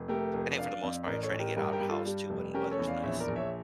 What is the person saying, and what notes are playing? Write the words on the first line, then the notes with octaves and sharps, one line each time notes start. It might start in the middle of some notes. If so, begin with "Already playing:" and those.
I think for the most part, I try to get outta house too when weather's nice.
Already playing: F1
A3 G4 A#4
F1
D4 D5 F5
F2
A1 A#4 D5
A4 C#5
A1
G4 A#4
G2 G4 A#4
G4 A#4
G2
F4 A4
G3
F1
C#4 G4 A#4
A4 C#5
E2
D5 F5
A#1 C#5 E5
A#4 D5
A#1
C#5 E5